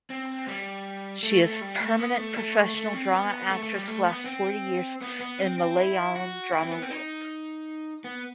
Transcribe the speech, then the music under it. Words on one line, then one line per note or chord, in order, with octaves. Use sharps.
She is permanent professional drama actress last forty years in Malayalam drama world.
C4
G3
A3
A3
G3
A3
B3
A3
A3
A3
C4
B3
A3
A3
G3
A3
B3
C4
B3
B3
C4
C4
E4
F#4
E4
C4
B3
C4
D#4
B3